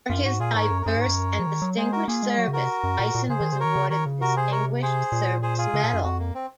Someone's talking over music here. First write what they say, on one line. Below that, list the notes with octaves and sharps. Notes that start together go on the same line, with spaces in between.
For his diverse and distinguished service, Dyson was awarded the Distinguished Service Medal.
F#2 F4
G#2 F#4
A#2 F4 G#4
G#2 A#4 C#5
F#2
A#4
F#2 G#4 C5
G#2 A#4 C#5
F#2
F3
D#3
F#3
G#3 G#4 C5
F#4 A#4
A#3 F4 G#4
G#3
F#3 F#4
C#3
F#4 A#4
C3
F#2
A#2
A#2
C#3 G#4 C5
D#3
C#3 C5
D#3 A#4 C#5
C#3
D#3 A#4 C#5
C#3
C3 F#4 A#4
G#4 C5
A#4 C#5
G#4 C5
A#2
G#4 C5
F4 G#4
C#3
A#2
F#2
F2 F#4
A#3
C4